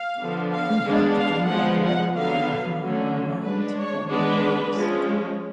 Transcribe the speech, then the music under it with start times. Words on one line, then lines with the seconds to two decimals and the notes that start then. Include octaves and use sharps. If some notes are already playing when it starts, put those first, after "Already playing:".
He had to flee abroad where he remained for many years.
Already playing: F5
0.21 D3 F3 B3 D4
0.53 F5
0.85 G#3 B3 D4
1.18 F5
1.51 F3 G#3 B3 F#5
1.83 F#5
2.15 D3 F#3 B3 F5
2.80 D3 F#3 A3 C#4
3.45 G#3 D4 B4
3.77 C#5
4.10 G#3 B3 D4 B4
4.75 F3 G#3 C#4